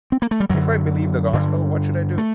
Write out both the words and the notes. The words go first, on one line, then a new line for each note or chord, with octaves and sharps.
If I believe the gospel, what should I do?
C4
A#3
A3
G3
F#2 D3 F#3
G2 D3
A3